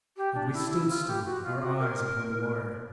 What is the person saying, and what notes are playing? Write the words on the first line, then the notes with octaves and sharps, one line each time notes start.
And we stood still, our eyes upon the wire.
G4
D4
E4
E4
F4
G4
F#4
F4
F#4
A#4